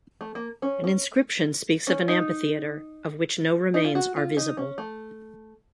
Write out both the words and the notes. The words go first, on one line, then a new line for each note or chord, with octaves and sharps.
An inscription speaks of an amphitheatre, of which no remains are visible.
A3
A#3
C#4
C#4
C#4
D#4
D#4
F4
F#4
F4
D#4
C#4
A3